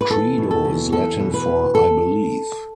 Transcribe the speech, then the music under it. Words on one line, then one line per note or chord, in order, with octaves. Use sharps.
Credo is Latin for I believe.
B4
E2 A4
B2
A4
E2
E2 A4
B2
B4
E2
A4